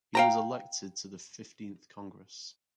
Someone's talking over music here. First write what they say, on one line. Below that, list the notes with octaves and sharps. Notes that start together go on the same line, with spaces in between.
He was elected to the Fifteenth Congress.
F5 G5 A#5